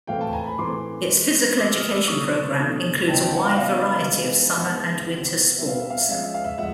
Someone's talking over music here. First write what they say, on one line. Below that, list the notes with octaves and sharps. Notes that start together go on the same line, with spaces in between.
Its physical education program includes a wide variety of summer and winter sports.
A2 E3 A3 C4 F5 G5
G5 A5
G#5 A#5
A5 B5
A2 E3 A3 C4 C6 D6
E3 G#3 C4
E3 G#3 C4 D6 E6
E6
D#6 F6
D6 E6
B2 F#3 A3 D4 C#6 D#6
B2 F#3 A3 D4
C#3 F#3 B3 D#4 G5 A5
G5 A5
F#5 G#5
F5 G5
F#5
C#3 F#3 B3 D#4 F5
E3 G#3 B3 D#4
E3 G#3 B3 D#4 E5 F#5
B2 G3 C4
B2 G3 C4 E5
F5
E5
F5
E5
F3 G#3 C#4 F5
E5
F5
E5
F3 G#3 E5 F#5